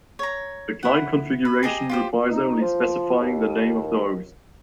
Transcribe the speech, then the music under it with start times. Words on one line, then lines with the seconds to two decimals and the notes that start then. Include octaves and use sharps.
The client configuration requires only specifying the name of the host.
0.19 C#5 A#5
0.83 E4 F#5
1.45 B4
1.63 G4 G#4 D#5 A#5
1.89 F4 G4 C5
2.32 D#4
2.60 F3
3.19 D#2